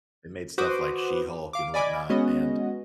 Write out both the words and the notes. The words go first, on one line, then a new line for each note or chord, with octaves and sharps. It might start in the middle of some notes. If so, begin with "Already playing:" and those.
they made stuff like She-Hulk and whatnot, and
F#4 B4 C5 F#5 D6 D#6
F5 D6
D5 D#5 G#5 B5 D6
G#3 B3 C#4 F#4 D#5